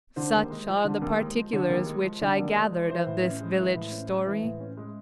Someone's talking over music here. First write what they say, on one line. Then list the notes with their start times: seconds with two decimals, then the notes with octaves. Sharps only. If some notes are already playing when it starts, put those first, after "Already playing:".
Such are the particulars which I gathered of this village story.
0.16 D3 C5
0.33 D#2
0.51 G#3
0.68 F3
0.84 D3
1.02 D#2
1.18 G#3
1.36 F3
1.53 D3 C#5
1.69 D#2
1.87 G#3
2.04 F3
2.21 D3 D5
2.38 D#2
2.55 G#3
2.72 F3
2.89 E3 C5
3.06 A2
3.23 C#4
3.41 G#3
3.58 E3
3.75 A2
3.92 C#4
4.09 G#3
4.26 E3
4.43 A2
4.60 C#4
4.77 G#3